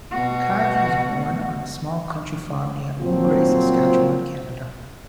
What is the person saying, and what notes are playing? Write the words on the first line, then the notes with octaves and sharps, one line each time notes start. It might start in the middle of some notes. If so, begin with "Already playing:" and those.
Kives was born on a small country farm near Oungre, Saskatchewan, Canada.
B2 F#4
A#2 F3 F#3 C4